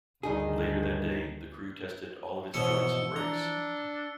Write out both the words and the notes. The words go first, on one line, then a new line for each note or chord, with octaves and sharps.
Later that day, the crew tested all of its joints and brakes.
D2 G2 D#3 D#4 G#4
G#2 B2 E3 F3 C#5 E6 C#7
D4 A#5